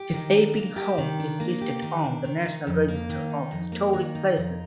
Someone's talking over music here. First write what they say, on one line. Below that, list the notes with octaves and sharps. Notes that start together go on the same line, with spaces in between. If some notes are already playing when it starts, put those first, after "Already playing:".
His Epping home is listed on the National Register of Historic Places.
Already playing: G4
D#3
D4
A#3
G4
D#3
D4
A#3
G4
D#3
D4
D#3
D#4
F2
A#3
D#3
D#4
F2
A#3
D#3
D#4
F2